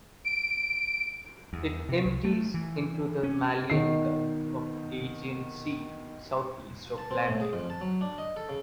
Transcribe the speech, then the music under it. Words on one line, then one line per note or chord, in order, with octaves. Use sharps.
It empties into the Malian Gulf of the Aegean Sea southeast of Lamia.
D7
E2
C3
C2
A3
E3
C#4
B2 D#3 C7
A5
C4
A2
G#4
F2
A5
F#3
D4
D#5
A4
C#3